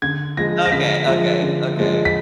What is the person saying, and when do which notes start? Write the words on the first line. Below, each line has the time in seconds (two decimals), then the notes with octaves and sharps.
Okay, okay, okay.
0.02 D3 G#6
0.37 F3 G#3 A#6
0.66 A#6
0.72 D3 B6
1.07 F3 G#3
1.42 D3
1.77 F3 G#3
2.05 B6